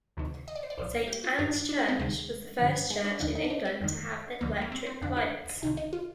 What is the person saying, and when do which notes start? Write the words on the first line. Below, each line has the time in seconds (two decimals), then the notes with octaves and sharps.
Saint Anne's Church was the first church in England to have electric lights.
0.17 D2 C3 D#3
0.48 D#5
0.55 D5
0.63 C5
0.70 D5
0.77 C2 A#2 F3 C5
1.08 G4
1.24 F4
1.38 G2 D#3 D#4
1.53 D4
1.69 D4
1.79 D4
1.88 C4
1.98 D2 C3 D#3 G#3
2.59 G2 D3 F3
2.90 G#3
3.04 D4
3.20 D#2 D3 F3 D#4
3.35 D#4
3.44 D4
3.50 D#4
3.65 C4
3.81 F2 D#3
4.41 D2 D3 F3 A#3
4.62 A#3
4.72 C4
4.87 C4
5.02 F2 D3 F3 D4
5.17 D4
5.62 C2 C3 D#3 D#4
5.77 D#4
5.93 F4